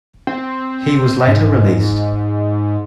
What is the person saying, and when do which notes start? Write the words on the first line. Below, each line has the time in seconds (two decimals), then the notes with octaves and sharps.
He was later released.
0.27 C4
1.27 G#2